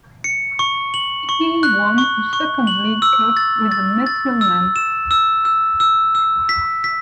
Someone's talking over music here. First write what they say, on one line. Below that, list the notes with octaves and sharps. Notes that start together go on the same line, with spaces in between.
He won a second league cup with the Methil men.
C#7
C#6
F#7
C#6
F#6
C#6
C#6
F#7
E6
A6
A6
A6
E6
E7
E6
E6
E6
E6
B6
B6